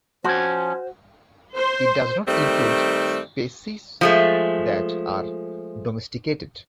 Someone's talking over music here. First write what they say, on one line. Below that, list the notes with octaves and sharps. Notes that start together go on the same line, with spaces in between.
It does not include species that are domesticated.
F3 C#4 F#4 C5
C5
D#3 G3 A3 C4
F3 G#3 A3